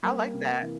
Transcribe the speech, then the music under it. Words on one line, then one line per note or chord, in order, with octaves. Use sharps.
I like that.
G3 A#3
C3
E3